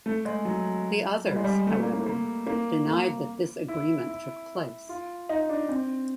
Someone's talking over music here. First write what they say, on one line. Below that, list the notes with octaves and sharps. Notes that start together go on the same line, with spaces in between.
The others, however, denied that this agreement took place.
A3
G#3
F#3
G3
G#3
G3
A3
A#3
A#3
A#3
A#3
A#3
E4
E4
F4
D#4
D4
C4